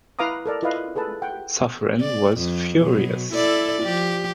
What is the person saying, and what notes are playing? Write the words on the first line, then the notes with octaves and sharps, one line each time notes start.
Suffren was furious.
E4 B4 F5 A#5 D6 D#6
A4 A#4 D5
E4 F4 B4 D#5 F5
G#4 A4 B4 A5
F#5 G5
D5
F2
B2 F#3
E4 A4 D5
F3 G4